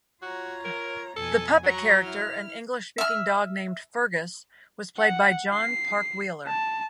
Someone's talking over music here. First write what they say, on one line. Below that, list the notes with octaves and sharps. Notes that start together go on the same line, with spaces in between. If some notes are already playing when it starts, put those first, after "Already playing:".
The puppet-character, an English-speaking dog named Fergus, was played by Jon Park-Wheeler.
F4 F#4 C#5 A#5
A#4
F2 B2 A4 G#5
F#3 F#5 A#5 C#6
E4 F6
E5 F6
F#5
C7
A5